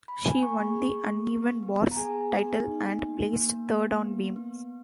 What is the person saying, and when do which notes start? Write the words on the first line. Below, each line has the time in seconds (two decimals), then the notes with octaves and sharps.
She won the uneven bars title and placed third on beam.
0.08 B5
0.25 A#3 G#5
0.43 C#6
0.60 G#4
0.94 A#3
1.28 B3
1.63 B3
1.91 A#5
1.97 G#4 G#5
2.31 B3
2.65 D#4
2.99 A#3
3.33 A#3
3.67 A#3
4.02 B3
4.36 B3